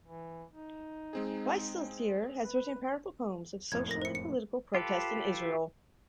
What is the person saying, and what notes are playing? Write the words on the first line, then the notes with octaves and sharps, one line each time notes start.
Wieseltier has written powerful poems of social and political protest in Israel.
E3
D#4
G#3 C4 G#4
B4
F#1 F2 A2 G#6
A#4 A#6
C5 C#7
C#7
F4 G4 A4 B4